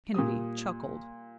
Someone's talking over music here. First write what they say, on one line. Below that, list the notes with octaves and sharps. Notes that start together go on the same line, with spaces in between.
Kennedy chuckled.
A#2 G3 D#6